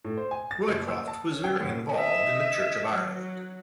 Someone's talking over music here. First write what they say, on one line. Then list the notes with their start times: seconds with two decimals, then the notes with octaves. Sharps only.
Roycroft was very involved in the Church of Ireland.
0.04 A2
0.17 C5
0.31 G#5
0.51 A6
0.67 F#1
0.88 E6
1.08 A5
1.31 C#4
1.44 G5
1.60 F#2
1.94 D#5 E5
2.89 F#3